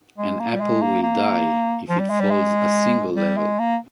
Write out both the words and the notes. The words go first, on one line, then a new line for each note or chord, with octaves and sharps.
An apple will die if it falls a single level.
G#3
A#3
G3
G#3
A#3
A#3
F3
G3
G#3
G3
G#3
G3
G#3
A#3